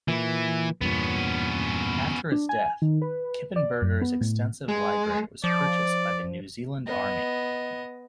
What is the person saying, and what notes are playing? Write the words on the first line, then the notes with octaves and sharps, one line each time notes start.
After his death, Kippenberger's extensive library was purchased by the New Zealand Army.
A#2 E3
E2 G2 A#2 B3 C#4
D4
G#5
D#3
B4
D5
F#2
B3
A2
G#3
F3 D5
B3 D#5